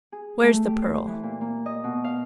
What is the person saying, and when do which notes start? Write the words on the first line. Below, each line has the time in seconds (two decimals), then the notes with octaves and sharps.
Where's the Pearl?
0.12 G#4
0.43 A3
0.65 G4
0.82 C5
1.07 E3
1.23 A#2
1.41 A#3
1.66 D#5
1.84 B2
2.04 F5